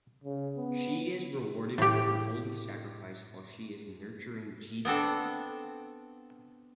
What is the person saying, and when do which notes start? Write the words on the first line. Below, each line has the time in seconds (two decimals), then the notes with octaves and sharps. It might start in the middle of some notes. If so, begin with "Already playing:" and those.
She is rewarded for her holy sacrifice while she is nurturing Jesus.
0.24 C#3
0.58 B3
1.78 A2 G4
4.85 B3 C4 D4 A4